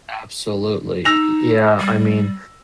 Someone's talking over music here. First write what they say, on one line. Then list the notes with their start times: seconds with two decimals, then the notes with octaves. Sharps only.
Absolutely, y yeah, I mean,
1.05 D#4 E6 A#6 F7
1.80 G3